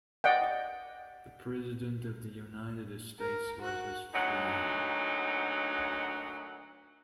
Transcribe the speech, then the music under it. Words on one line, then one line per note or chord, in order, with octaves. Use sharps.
The President of the United States was his friend.
D5 D#5 F#5 G5
A#4
F#4 F#6
D2 A#2 F#3 D#4 F#5